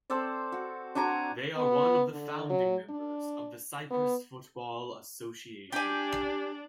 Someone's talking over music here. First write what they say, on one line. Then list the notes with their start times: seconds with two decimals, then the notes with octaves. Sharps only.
They are one of the founding members of the Cyprus Football Association.
0.10 C4 A4 C5 D5
0.52 F#4
0.95 D4 F#4 G#5 A#5
1.57 B3
2.12 D3
2.49 F#3
2.90 D4
3.90 B3
5.72 D4 G4 G#5